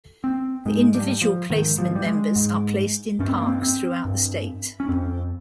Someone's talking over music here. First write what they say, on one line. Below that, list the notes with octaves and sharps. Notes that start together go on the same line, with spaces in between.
The Individual Placement members are placed in parks throughout the state.
C4
G#2 G#3
G3
F3
G#2 D#3
F3
G3
G#3
G#2
G2 C#4
C4
A#3
C4
C4
G2
C#4
F2 C4